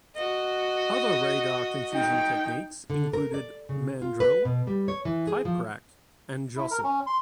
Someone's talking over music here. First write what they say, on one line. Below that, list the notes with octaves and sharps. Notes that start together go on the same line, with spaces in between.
Other radar-confusing techniques included Mandrel, Piperack and Jostle.
F#4 D#5
D#4 G5
D3
A#4
D5
C#3
F4
B4
B2
G3
C#5
E3
G#4
F3
E4
A#4
C#4
C6